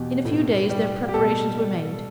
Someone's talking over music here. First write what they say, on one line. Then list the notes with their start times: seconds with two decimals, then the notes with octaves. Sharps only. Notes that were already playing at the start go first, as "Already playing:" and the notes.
In a few days their preparations were made.
Already playing: E2 B2 G4
0.25 A2
0.70 G3
1.09 G4
1.14 B2 A4
1.59 G3